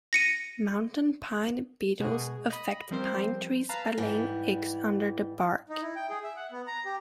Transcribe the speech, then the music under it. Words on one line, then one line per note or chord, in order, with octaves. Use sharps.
Mountain pine beetles affect pine trees by laying eggs under the bark.
A#6 C#7 D#7
B2 G#3 F#4 G#4
D#5 B5
F3 G3 C4 A#4 C5
B4 F5 A5 A#5
G#2 E3 G3
D#4
E4
G5
G#4
E5
F#5
B3
A#5
G4